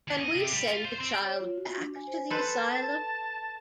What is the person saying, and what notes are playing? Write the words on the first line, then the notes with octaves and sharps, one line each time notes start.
Can we send the child back to the asylum?
D#2
D#5
C3
G3
F4
C5
C4
C#5
F4
F#4
D4
G#5
C5
A4 B4 C5 A5